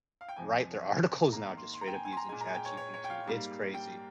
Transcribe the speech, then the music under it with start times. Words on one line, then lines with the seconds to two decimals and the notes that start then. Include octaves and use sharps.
write their articles now just straight up using ChatGPT it's crazy.
0.21 F5
0.29 G5
0.36 F2 C3 F3 G#5
1.32 G#2 D#3 A#3 A#5
1.57 C6
1.74 C6
1.81 A#5
1.87 G5
1.94 G#5
2.05 G#5
2.12 C6
2.17 A#5
2.29 A#2 G#3 G#5
2.41 A#5
2.48 G#5
2.54 G5
2.65 C#5
2.77 C#5
2.94 C#5
3.04 G5
3.10 F5
3.26 G#2 G3 A#3
3.74 G5